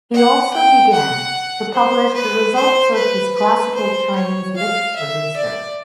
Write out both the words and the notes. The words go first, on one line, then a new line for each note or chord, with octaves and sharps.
He also began to publish the results of his classical Chinese literature research.
F#5
G5
F#5
C5
B4
C5
B4
B4
C5
C#5
F5
E5
D5